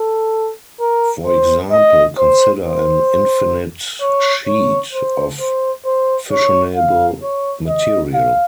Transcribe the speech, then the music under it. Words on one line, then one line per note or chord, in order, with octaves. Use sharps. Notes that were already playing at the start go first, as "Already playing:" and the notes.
For example, consider an infinite sheet of fissionable material.
Already playing: A4
A#4
C5
D#5
C5
C5
C#5
C#5
C5
C5
C5
C#5
F5
C#5
D#5
F5